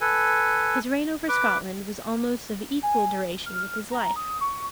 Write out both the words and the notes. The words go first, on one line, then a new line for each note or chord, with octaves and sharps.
His reign over Scotland was almost of equal duration with his life.
A4 B4 G#5
B4 D6
G#5
F6
A#5
D#6
C#6